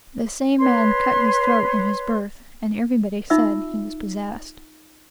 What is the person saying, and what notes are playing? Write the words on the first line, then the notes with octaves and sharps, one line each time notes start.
The same man cut his throat in his berth, and everybody said he was possessed.
B4 C#5 C6
D#4 F4 E5 E6